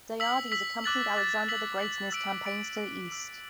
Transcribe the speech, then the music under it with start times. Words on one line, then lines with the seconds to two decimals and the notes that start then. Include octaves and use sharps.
Diades accompanied Alexander the Great in his campaigns to the East.
0.20 E6 B6 F#7
0.52 E6 B6 F#7
0.84 D6 F#6 A6 F#7
1.16 D6 F#6 A6 F#7
1.48 E6 B6 F#7
1.81 E6 B6 F#7
2.12 E6 A6 D7
2.45 E6 A6 D7
2.77 E6 D7 F#7
3.08 E6 D7 F#7